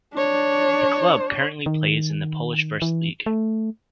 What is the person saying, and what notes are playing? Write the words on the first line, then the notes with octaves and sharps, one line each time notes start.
The club currently plays in the Polish First League.
D4 C#5
D#3
E3
A3